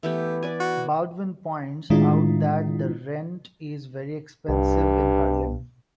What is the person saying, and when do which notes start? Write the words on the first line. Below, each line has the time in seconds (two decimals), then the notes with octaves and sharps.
Baldwin points out that the rent is very expensive in Harlem.
0.03 E3 A3 B3 G4
0.43 B4 D5 G#5
0.60 F#4
1.90 A2 D#3 G#3 D4 E4 F4
4.49 C2 G2